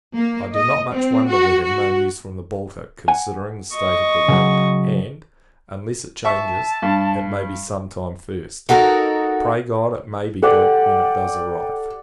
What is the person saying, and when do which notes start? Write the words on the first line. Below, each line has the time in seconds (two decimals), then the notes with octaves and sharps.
I do not much wonder we have no news from the Baltic, considering the state of the wind; and, unless it changes, it may be some time first. Pray God it may be good, when it does arrive.
0.15 A#3
0.53 D#5
0.91 C4
1.29 F#4
1.63 F#4
3.08 F#5 G#5
3.74 D#5 C#6
4.28 C#3 F#3
6.25 E5 A5 C#6
6.82 G2
8.69 D#4 F#4 A4 A#4
10.43 G4 A4 D5 F#5 G5